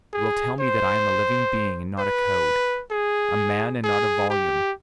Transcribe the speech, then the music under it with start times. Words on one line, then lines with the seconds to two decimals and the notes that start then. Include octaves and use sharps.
You will tell me that I am a living being, and not a code--a man, and not a volume.
0.13 G#4
0.60 C5
1.99 B4
2.91 G#4
3.84 G#4
4.30 G4